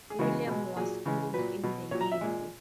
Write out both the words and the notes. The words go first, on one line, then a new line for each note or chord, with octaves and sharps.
William was schooled in the navy.
G#4
C#3 E3 G#3 F#4
B2 G#3
A#2 F#3 G#4
C#3 E3 G#3
A#2 F#3 B4
B2 F#3
A#2 F#3 C#5
A#5
E5
A#2 G#3